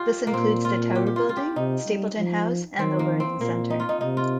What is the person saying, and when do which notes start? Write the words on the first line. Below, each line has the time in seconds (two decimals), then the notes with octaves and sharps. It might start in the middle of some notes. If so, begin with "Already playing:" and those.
This includes the Tower building, Stapleton House and the Learning Centre.
Already playing: F4 G4
0.27 A#3
0.33 A#2 C4
0.65 F4
0.95 G4
1.07 G4
1.16 F4
1.29 F4
1.37 G4
1.56 C3 D#4
1.87 G3
2.18 F3
2.79 D#3 C4
2.99 A#3
3.20 C4
3.40 A#2 A#3
3.70 D#4
3.80 F4
3.89 D#4
4.01 C3 D#4
4.17 F4